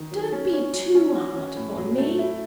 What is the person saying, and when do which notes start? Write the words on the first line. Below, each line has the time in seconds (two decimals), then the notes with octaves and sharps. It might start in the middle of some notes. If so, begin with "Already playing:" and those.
'Don't be too hard upon me.
Already playing: D#3
0.11 F#3
0.32 C#4
0.53 C#5
0.74 F#3
0.95 C#4
1.15 F#4
1.36 C#4
1.56 A2
1.77 F#3
1.98 A3
2.19 E4